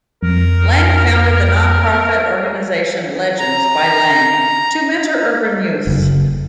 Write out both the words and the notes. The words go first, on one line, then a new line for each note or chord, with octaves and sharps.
Lang founded the nonprofit organization "Legends by Lang" to mentor urban youths.
F2 A#4
A#5
F#1